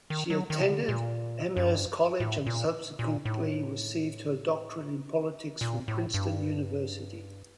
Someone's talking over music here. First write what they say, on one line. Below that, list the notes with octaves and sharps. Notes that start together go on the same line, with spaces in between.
She attended Amherst College and subsequently received her doctorate in politics from Princeton University.
D#3
F#3
D#3
C3
D3
A#2
F#2
G2
A2
A#2
A#2
A2
A#2
A2
G2